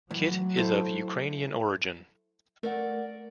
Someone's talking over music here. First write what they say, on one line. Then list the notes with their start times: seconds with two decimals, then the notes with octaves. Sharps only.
Kit is of Ukrainian origin.
0.11 A2 E3 F#3
0.57 A3 E4 C5
2.63 A3 A#4 D5 F#5